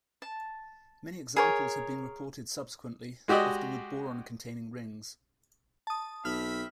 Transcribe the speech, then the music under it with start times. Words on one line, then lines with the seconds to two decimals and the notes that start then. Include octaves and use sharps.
Many examples have been reported subsequently, often with boron-containing rings.
0.22 A5
1.36 G#4 A#4 C#5
3.28 G#3 F#4 G4 D5 D#5
5.87 A5 D#6
6.25 B1 C4 E5 B5 F6